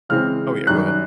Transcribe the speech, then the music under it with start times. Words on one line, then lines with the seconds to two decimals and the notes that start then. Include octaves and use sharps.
oh, yeah, go ahead.
0.09 C#3 E3 G#3 C4 F6
0.67 F#2 D#3 G3 F#6